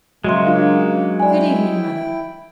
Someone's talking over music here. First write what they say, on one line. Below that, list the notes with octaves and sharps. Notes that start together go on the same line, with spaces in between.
'Good evening, Mother.'
C#3 F#3 G#3 A#3 F#4 E5 C6
D4 F4
E4 D5 G5 G#5